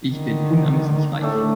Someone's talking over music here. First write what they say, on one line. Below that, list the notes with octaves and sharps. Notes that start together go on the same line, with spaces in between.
Ich bin unermesslich reich.
D3 D#3
A2 A3 D4